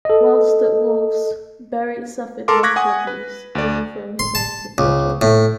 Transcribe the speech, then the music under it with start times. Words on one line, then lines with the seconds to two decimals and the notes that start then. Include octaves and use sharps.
Whilst at Wolves Berry suffered racial abuse even from his own supporters.
0.05 A4 D#5
2.48 A4 A#4 A5 C6 D6
2.63 C#6 D6 F#6 G#6 A#6 B6
2.76 F#5 G#5 D#6
3.07 B4
3.55 D2 D5
4.19 C6
4.35 A5
4.78 C#2
5.21 A2